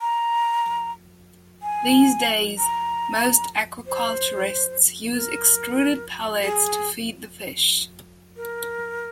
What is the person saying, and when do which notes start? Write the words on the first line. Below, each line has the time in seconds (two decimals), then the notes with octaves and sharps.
These days, most aquaculturists use extruded pellets to feed the fish.
0.01 A#5
1.62 G#5
2.58 A#5
3.87 C5
5.15 A#4
6.43 G#4
8.37 A#4